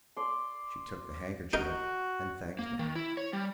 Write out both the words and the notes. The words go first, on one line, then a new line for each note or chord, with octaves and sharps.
She took the handkerchief and thanked me....
D5 C6
D#4 F#4 A#4
A#3
D#3
E4
C#5
G3